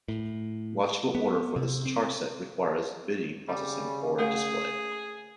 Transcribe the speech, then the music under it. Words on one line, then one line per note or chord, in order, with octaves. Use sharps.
Logical order for this charset requires bidi processing for display.
A2
B3
C3
C4
C#3 G3
A3 G#4 A#4 F5